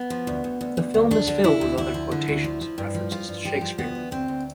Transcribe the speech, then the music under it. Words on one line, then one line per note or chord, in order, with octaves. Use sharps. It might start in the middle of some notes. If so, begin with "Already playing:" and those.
The film is filled with other quotations and references to Shakespeare.
Already playing: B3
F3
D2
D2
D2
D2
D2
D2 D4
D3
D3 E4
D2
D2 E4
F3
D3
D2
F3
F3
G2
F3
G2 F4
G2
F3 G4
F3
D2 B3
D2
D2 C4
D2